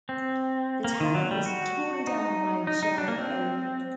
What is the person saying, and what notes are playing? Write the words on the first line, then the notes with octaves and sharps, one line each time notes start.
The Tavern was torn down by Jell-O.
C4
A#3
D#3
F#3
G3
F#4
D#4
D#4
D#4
D4
A#3
C4